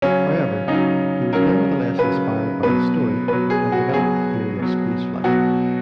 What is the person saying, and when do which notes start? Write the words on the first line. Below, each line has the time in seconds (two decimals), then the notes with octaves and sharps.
However, he was nevertheless inspired by the story and developed the theory of spaceflight.
0.02 C#3 F#3 C#4
0.68 C#3 F#3 D#4
1.33 C#3 F#3 A#4
1.98 C#3 F#3 B4
2.63 B2 F#3 B4
3.28 B2 F#3 B4
3.50 G#4
3.72 F#4
3.93 B2 F#3 G#4
4.59 B2 F#3
5.24 B2 F#3 F#4